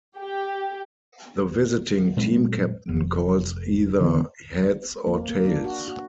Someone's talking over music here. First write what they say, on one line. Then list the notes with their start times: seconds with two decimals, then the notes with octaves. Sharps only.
The visiting team captain calls either heads or tails.
0.18 G4
2.17 A#2 F#3 G#3 C4
2.89 F1
4.00 D3 E3 B3
5.07 A#3
5.29 A#3
5.45 D4
5.64 F#4
5.88 F#4